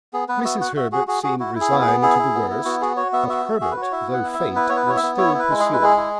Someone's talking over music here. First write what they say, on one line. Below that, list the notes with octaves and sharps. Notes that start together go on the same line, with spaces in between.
Mrs. Herbert seemed resigned to the worst, but Herbert, though faint, was still pursuing.
B3 G#4
B3 B4
F#4 E5
F#4 F#5
F#4 E5
F#4 G#4
F#4 G#4
F#4 G#4
E4 F#4
E4
G#4
B3
G#4
B3
E4 G#4
E4
B3
E4
B3 F#4
F#4 G#4
F#4 C#5
B3 E5
F#4 E5
F#4
F#4 G#4
B4
F#4
C#5
E4 E5
B3
F#5
E4
E5
B3
E4 B4
B3 C#5
B4
E4 C#5
E5
B3
E4 C#5
E4 B4
G#3
E4 G#4
B4
G#3 G#4
E4